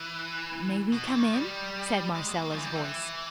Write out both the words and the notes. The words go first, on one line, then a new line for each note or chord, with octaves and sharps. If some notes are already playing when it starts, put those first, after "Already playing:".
"May we come in?" said Marcella's voice.
Already playing: E3
B2
E3
D#3
G3
G#3
A#3
A#3
E3
G3
E3